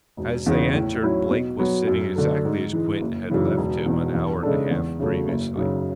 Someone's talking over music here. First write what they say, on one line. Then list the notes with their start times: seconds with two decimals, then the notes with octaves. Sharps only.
As they entered Blake was sitting exactly as Quinton had left him an hour and a half previously.
0.17 E1
0.46 E2 C#3
0.75 A2
1.03 F#3 C#4 E4
1.31 B2
1.59 F#3 B3
1.87 F#2
2.16 D3 A3
2.45 G#2
2.73 E3 G#3
3.01 F#1
3.30 F#2 C#3 E3
3.58 E1
3.86 E2 B2
4.14 E2
4.43 C#3 G#3 D4 A4
4.71 E2
5.00 C#3 F#3 A3
5.28 F#1
5.56 F#2 C#3